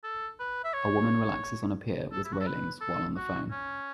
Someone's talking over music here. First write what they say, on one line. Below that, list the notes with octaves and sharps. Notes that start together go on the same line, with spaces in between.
A woman relaxes on a pier with railings while on the phone.
A4
B4
E5
C#5
A4
E4
F#4
A4
B4
A4
F#4
C#4